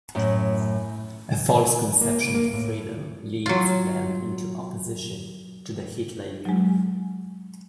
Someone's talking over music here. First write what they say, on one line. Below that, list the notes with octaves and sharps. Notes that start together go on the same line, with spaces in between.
A false conception of freedom leads them into opposition to the Hitler Youth.
F#2 A2
A#3
C#3
A#3
A2
F#3 F4
F#3 G#3